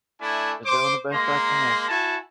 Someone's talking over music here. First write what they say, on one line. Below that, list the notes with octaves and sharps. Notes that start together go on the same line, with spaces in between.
just doing the best I can."
A3 D4 E4 G#5
C5 D6
G#3 A#3 A#5 C6
E4 F#4 G#5 A5